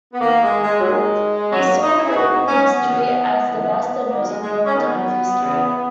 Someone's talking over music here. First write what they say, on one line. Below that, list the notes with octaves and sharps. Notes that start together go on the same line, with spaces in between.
He saw political history as the best and most important kind of history.
B3
D#2 D#3 A#3
G#3
G#3
F#3
D#2 D#3 G#3
G#2 D#3 F#3
A#3
D#4
E4
G#4
G#2 D#3 F#4
D#4
C#4
B3
D#2 C#3 E3
D#2 C#3 E3
D#2 D#3 A#3
F#3
G#3
G#3
C#4
D#2 D#3 B3
E2 C#3 E3